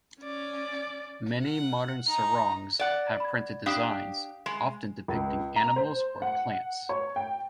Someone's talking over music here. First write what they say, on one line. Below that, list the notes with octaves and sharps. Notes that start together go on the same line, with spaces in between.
Many modern sarongs have printed designs, often depicting animals or plants.
C#4 D5
F#5
D#4 A#5
D5 F#5
B5 G#6
D4 G4 F5 D#6 E7
G#3
C#2
A#5
C5
F#5
C#5
G5